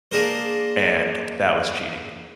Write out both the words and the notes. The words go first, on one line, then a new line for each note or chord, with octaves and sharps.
and that was cheating.
A#3 D4 G#4 A#4 C5